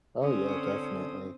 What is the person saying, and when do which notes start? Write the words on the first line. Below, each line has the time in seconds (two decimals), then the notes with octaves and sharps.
Oh, yeah. Definitely.
0.22 D3 C4 C#4 D#6